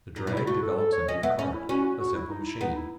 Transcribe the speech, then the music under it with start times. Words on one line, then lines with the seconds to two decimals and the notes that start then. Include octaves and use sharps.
The drag develops into the cart, a simple machine.
0.16 A2 D#4
0.27 B2
0.32 C#3 E4
0.47 A3 F#4
0.62 A4
0.77 A4
0.93 C#5
1.08 C#4 D#5
1.23 B3 E5
1.39 C#4
1.53 E4
1.69 C#4 F#4
1.84 F#4
1.99 F#4
2.15 E4
2.30 D#4
2.46 E4
2.61 B3 D#4
2.76 E4